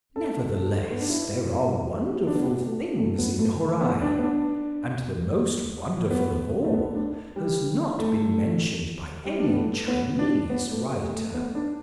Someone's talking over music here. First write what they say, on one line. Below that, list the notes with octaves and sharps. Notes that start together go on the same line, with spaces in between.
Nevertheless there are wonderful things in Horai; and the most wonderful of all has not been mentioned by any Chinese writer.
A4
A4
B3
D4
E4
D4
B3
A3
A3
B3
A3
A3
B3
D4
B3
D4
B3
A3
B3
D4
G3
A3
G3
D4
B3
A3
B3
D4
B3
A3
G3
A3
B3
D4